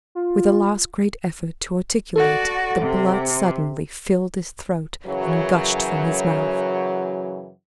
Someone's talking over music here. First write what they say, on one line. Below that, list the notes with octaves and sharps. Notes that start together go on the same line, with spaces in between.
With a last great effort to articulate, the blood suddenly filled his throat and gushed from his mouth!
F4
F#4 A4 D5 F#5
C3
F#2 C#3 E3 F#3